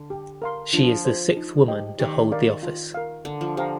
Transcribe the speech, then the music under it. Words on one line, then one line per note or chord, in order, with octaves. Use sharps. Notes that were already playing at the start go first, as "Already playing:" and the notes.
She is the sixth woman to hold the office.
Already playing: D3
G4
A#4 F5 C6
F3 D4
F4 C5
D#4
G4 C5 D#5 G5
D#3 G4
A#4 D5 F5
F4
A#4 F5
D3 D4
F3
D3 G4 C5 F5 A#5